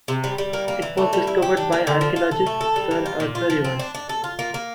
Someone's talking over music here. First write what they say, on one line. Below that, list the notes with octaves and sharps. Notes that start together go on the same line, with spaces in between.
It was discovered by archaeologist Sir Arthur Evans.
C3
G3
G3
A#3
A#3
E3
A3
G3
E4
G4
D4
A#3
D3
F3
F4
A4
A3
A4
G3
A#3
F4
A#2
F4
F3
C4
D4
D4
A4
F4
A#3
A#3